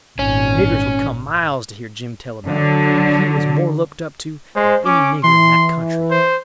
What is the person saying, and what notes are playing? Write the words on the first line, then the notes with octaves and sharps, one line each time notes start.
Niggers would come miles to hear Jim tell about it, and he was more looked up to than any nigger in that country.
G#1 A#2 C#4
D3 F#3
G#3 C5
C#4 D6
E3 C6
C5